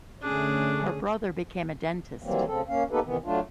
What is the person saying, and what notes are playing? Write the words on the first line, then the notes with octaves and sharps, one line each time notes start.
Her brother became a dentist.
D3 A3 C#4 D4 G#4
D#3 E3 F#3 G3 A#3 C4
D2 C#3 C4 A4
A#3 C#4 F5
A#3 B3 D#4 G4 A4 B4
C3 D#3 E3 B3
F#3 A3 D4 F4